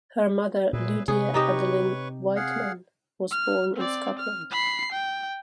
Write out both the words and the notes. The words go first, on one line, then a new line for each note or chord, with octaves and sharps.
Her mother Lydia Adeline Wightman was born in Scotland.
A#2 G#4 B4 E5
C3 G#4 B4 C#5 C#6
D#4 G4 D#5
G#4 F5 F#5
F6
C4 D5
F6
B5 C7
G5